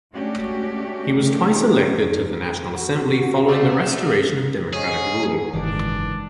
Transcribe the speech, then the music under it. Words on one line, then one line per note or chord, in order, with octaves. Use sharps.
He was twice elected to the National Assembly following the restoration of democratic rule.
G#3 A3 C#4 D4 F#4 G4
D#3 F3 A3 C#4 D#4 G4
F2
F#4 F#5
A3 C5 D5 F5
G#2 C#4 G#4
F#1 G#2 D#3 E3 D4 D7